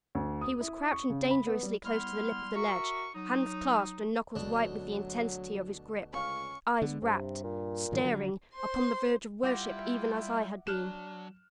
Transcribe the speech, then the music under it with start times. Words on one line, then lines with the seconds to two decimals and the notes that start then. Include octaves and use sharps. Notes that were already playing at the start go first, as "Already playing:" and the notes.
He was crouching dangerously close to the lip of the ledge, hands clasped and knuckles white with the intensity of his grip, eyes rapt, staring--upon the verge of worship even as I had been.
0.15 D2
0.41 D#6
0.61 E4
0.92 C#6
1.10 C#3
1.31 B5
1.47 B3
1.63 G3
1.84 G3 B3 E4 C6 F6
2.55 F#4 A#4 E5 C#6
3.15 F#3 D#4 D#6
4.35 D2 B2 F#3 D4
6.13 C#2 C#4 F5 C#6 F6
6.82 D3 B3
7.02 G2 C3
7.44 A#2
7.92 G#2 D#3 F#3
8.04 D3 F#3
8.54 C5 C6
9.43 G3 E4 F4 E5 F#5 G5 D6 A#6
10.67 F#3 D4 F6 F#6 E7